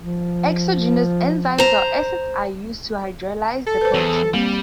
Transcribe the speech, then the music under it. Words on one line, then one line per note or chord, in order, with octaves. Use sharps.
Exogenous enzymes or acids are used to hydrolyze the proteins.
F3
C5 A#5
A4
B4 C5
E2
G3 A#3 C4